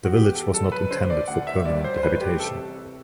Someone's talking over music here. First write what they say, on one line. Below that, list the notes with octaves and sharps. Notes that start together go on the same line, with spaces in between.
The village was not intended for permanent habitation.
F#4
E2 G4
A4
F#1 A4
B4
D3 C5
D5
D2 F#5
E5
G2 D5
C5
C5
A1 B4
G4
C3 A4